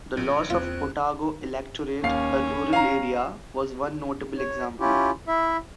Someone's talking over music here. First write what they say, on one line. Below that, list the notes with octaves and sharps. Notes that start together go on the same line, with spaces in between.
The loss of Otago electorate, a rural area, was one notable example.
A#1
E2 C4 F4 F#6
D#2 C#4 F5 C7
F5 A#5
C#5
C#4 E4 F4 G4
E4 E5